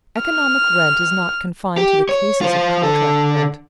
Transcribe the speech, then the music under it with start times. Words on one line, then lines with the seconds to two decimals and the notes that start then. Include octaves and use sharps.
Economic rent is not confined to the cases of contract rent.
0.23 F6
1.77 G4
2.09 C#5
2.41 F4 C5
2.83 D3 A4